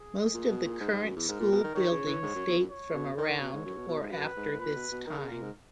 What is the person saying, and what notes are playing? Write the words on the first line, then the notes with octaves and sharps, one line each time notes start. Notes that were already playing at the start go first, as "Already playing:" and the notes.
Most of the current school buildings date from around or after this time.
Already playing: G#4
A#2
B2
A#2
G#2
G#2
F#2
E2
G#2 A#4
A#2
B2
D#3
D#3 C#5
C#3
E3
G#2
F#2
E2
F#2
C#5
B2
D#3 C#5
D#3
B2
G#2
F#2
B2
B2
G#2
F#2 B4
G#2
G#2
A#2 B4
B2
B2
D#3 A#4
C#3
A#2
G#2